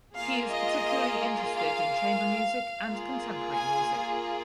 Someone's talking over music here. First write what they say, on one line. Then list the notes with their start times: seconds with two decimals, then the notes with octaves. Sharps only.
He is particularly interested in chamber music and contemporary music.
0.17 A#3 F4 G#4 F5
0.51 D#5
1.53 F5
2.86 A#3 F4 G#4
3.54 G#5